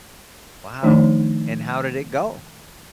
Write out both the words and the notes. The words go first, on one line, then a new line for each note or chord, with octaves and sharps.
Wow. And how did it go?
D#3 F3 A3 D4 D#4